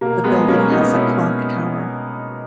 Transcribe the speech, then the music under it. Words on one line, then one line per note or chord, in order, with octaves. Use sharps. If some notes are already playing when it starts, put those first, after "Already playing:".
The building has a clock tower.
B2 A#3
G#3 B3
B2 A#3 C#4
B3 D#4
B2 C#4 E4